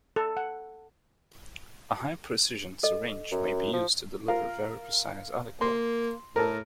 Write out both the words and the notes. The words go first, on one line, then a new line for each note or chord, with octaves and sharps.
A high-precision syringe may be used to deliver very precise aliquots.
A4
F#5
A4 D#5
F#2
F3
F4 A#4
A#3 C6
A2 A4 A#4